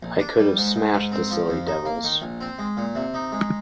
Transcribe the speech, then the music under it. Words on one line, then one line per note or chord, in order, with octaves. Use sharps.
I could have smashed the silly devils.
A#1
D4
G3
G#2
G#2
G#2
C4
F3
F2
D#4
A#3
D#3
A#1
C4
G#3
A#2
C3
D#4
G#3